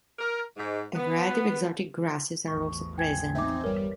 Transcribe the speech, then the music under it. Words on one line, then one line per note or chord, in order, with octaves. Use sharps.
A variety of exotic grasses are also present.
A#4
G#2
B3
A1 E2 F3 C#6
G5 G#5 G#6
C4 D#4 E5 D6
G1 G3 A#4 B4 C#5